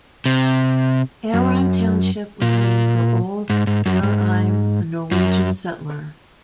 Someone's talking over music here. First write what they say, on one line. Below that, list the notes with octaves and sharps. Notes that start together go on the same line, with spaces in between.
Hereim Township was named for Ole Hereim, a Norwegian settler.
C3
F#2
A#2
G#2
G#2
F#2
G#2
F#2